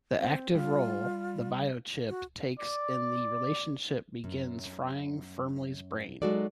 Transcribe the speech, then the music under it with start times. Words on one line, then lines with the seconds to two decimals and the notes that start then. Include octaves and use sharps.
The active role the bio-chip takes in the relationship begins frying Firmley's brain.
0.19 C4
0.55 G3 F4
2.09 F#4
2.59 D5
4.24 F#2
6.22 F#3 G#3 D#4 F#4 A4 D5